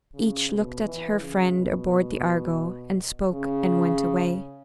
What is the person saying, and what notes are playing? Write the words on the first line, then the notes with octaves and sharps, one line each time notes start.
Each looked at her friend aboard the Argo, and spoke, and went away.
C#3
B2
E3
C#3
B2
C#3